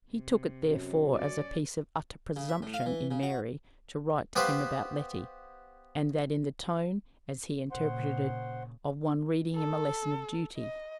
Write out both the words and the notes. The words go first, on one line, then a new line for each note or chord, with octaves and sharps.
He took it, therefore, as a piece of utter presumption in Mary to write to him about Letty, and that in the tone, as he interpreted it, of one reading him a lesson of duty.
C3
F#2
C#4 D5
C#3
E5
A2
F5
E3
C#3
F#4
B3 G4 B4 C5 F5
A#2 C#3 C5 F#5 C6
A4
D#5